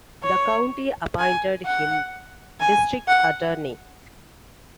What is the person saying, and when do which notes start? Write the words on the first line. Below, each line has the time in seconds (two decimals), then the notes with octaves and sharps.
The county appointed him district attorney.
0.23 C#5
1.19 G#5
1.65 F#5
2.60 G#5
3.08 F#5